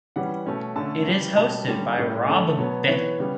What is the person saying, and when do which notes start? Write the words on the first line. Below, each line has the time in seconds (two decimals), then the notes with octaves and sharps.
It is hosted by Rob Beckett.
0.16 E3 G3 C#4 F#5
0.46 B2 A3 C#4
0.76 D3 A3 C#4 A5
1.07 C#3 E3 G3 C#4
1.37 B2 G3 C#4 A5
1.67 D3 G3 C#4
1.98 A2 G3 C#4
2.28 D3 A3 C#4
2.58 B2 F#3 B3 C#5
2.89 E3 B3 C#5
3.18 C#3 G3 B3